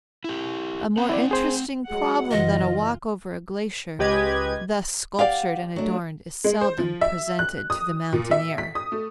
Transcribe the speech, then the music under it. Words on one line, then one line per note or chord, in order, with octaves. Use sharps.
A more interesting problem than a walk over a glacier thus sculptured and adorned is seldom presented to the mountaineer.
E4 G4
C4 F#5
E4 D5
G#4 C5 G#5
F#3 G#3 F#5
F#1 E3 F4 D#5
C#2 G#3 G4 B4 D#5 G#6
G4 D5 F5 F#5
F#3 A3 D4
G#3
C5
F3
E5
F#6
D#6
A#2
E5
B6
D#6
A3